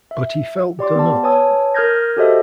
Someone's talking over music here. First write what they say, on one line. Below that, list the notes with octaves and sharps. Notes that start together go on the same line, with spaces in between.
But he felt done up.
E5
G4 D5 C6 D6
B3 A5
B4 C#5 G#5 A5 D#6 E6
A#4 D#6 F6 G6 G#6 A#6
F#4 G4 A4 C5 D#5 E5